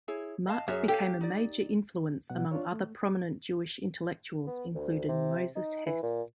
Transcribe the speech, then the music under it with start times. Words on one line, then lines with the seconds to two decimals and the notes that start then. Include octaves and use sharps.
Marx became a major influence among other prominent Jewish intellectuals including Moses Hess.
0.08 E4 G#4 C#5
0.47 D#5 F5 A5
0.68 F#2 G#4 C#5 E5
0.88 G4 A4 C#5 F5 G5
1.21 D#4 D5
2.30 B2 F#3 F#5
2.51 D4 F4 C#5
2.72 A3
4.47 B3
4.74 D2
5.08 C3
5.56 D#4
5.86 E3
6.02 A#2